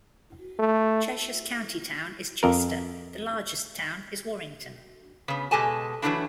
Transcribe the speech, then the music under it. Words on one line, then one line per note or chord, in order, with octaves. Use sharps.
Cheshire's county town is Chester; the largest town is Warrington.
A3
F2 A#4
C#3 B3
B2 G#3 G4 A4 G#5 A5
E3 F#3 G3 A3 D4 E4